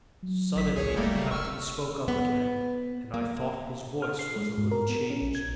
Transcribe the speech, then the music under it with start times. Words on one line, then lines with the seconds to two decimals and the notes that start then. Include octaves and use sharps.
Suddenly the captain spoke up again, and I thought his voice was a little changed.
0.23 F#3
0.56 A1 B6
0.76 C#2 G#4 C#5
0.96 E1 G3 A3 A#3
1.14 C#3
1.31 F1 C#6 E6 F6
2.08 B3
3.14 A#3
4.02 F6
4.19 C7
4.36 G#3
4.58 G#2
4.71 A#4
4.90 B3
5.10 C#4
5.22 A#1
5.35 G#6